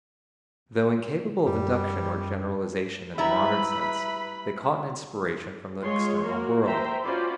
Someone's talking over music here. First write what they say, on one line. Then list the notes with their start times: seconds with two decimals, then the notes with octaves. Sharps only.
Though incapable of induction or generalization in the modern sense, they caught an inspiration from the external world.
1.46 F#2 G3
3.18 G3 E4 B4 E5 A#5 B5
5.82 G#3 F4 G#4 C#5 C6
6.25 A#3 F#4 A#4
6.66 C5 E5 G5 A#5
7.02 C#4 F4 F#4 C5 D5 B5